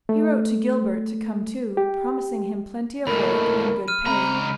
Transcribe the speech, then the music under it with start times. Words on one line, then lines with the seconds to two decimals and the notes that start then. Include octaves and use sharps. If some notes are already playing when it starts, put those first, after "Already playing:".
He wrote to Gilbert to come too, promising him plenty of work and good pay.
0.09 A3
1.77 G4
3.07 D#2 A2 A#4 B5
3.88 F6 D#7
4.06 C#2 C4 A#5 B5